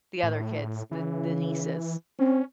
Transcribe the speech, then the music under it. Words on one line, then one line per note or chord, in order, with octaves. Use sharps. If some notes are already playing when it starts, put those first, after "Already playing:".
the other kids, the the nieces.
A2
C#3 E3
C4 C#4